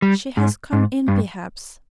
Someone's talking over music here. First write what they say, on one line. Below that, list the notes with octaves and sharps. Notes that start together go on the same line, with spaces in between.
She has come in, perhaps.
G3
G#2
G#2
G2